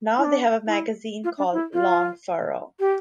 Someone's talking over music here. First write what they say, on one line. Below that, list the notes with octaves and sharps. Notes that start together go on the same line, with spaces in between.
Now they have a magazine called "Long Furrow".
E4
D4
E4
F4
D4
E4
F4
G4